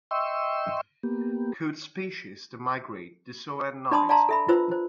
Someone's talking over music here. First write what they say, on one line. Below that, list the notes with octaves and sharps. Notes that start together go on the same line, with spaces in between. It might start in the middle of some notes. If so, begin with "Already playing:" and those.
Coot species that migrate do so at night.
D#5 E5 G5 C6 C#6 E6
A#3 B3 G4
D4 D5 A5 B5 C6 D#6
D5 F5 A5 A#5 C6
A4 E5 B5
F4 B4 C5 E6
C5